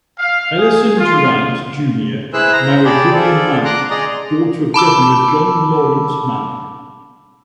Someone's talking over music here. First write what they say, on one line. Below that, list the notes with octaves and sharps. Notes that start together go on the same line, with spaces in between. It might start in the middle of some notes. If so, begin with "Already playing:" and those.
Ellison DuRant, Junior married Vivian Manning, daughter of Governor John Lawrence Manning.
F5
G#4
F4
E4 G#4 B4 C5 E6 F#6
C5 A#5
G4 G#4 D5 A5 B5
F4 G#4 A4 C5 D5
A#5 C6 D6 F#6
G#4 D5 D#5 A#5 C6
A5 B5 D6 E6